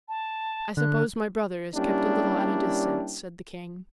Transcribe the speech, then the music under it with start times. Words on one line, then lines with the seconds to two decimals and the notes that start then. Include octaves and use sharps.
"I suppose my brother is kept a little at a distance," said the king.
0.09 A5
0.77 D3 F#6
1.75 G3 A#3 C#4 D4 E4 G4